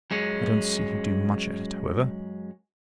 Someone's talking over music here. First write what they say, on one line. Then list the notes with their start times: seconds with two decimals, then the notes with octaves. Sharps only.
I don't see you do much at it, however.
0.11 F#2 G#3 C#4